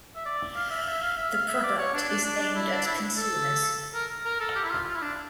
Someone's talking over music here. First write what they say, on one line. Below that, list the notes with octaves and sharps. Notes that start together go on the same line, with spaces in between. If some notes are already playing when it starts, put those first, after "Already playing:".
The product is aimed at consumers.
E5
D5
F5
E5
E5
F5
E5
F5
E5
D5
C#5
D4
D4
D4
D4
E4
D4
E4
A4
A#4
A#4
A4
G4
E4
F4
F4
E4
D4